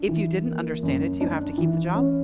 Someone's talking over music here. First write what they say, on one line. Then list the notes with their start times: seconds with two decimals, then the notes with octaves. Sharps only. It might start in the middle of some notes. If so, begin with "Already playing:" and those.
if you didn't understand it, do you have to keep the job?
Already playing: D4
0.09 E3
0.46 A#3
0.83 F#2
1.21 D4
1.58 E3
1.95 C#4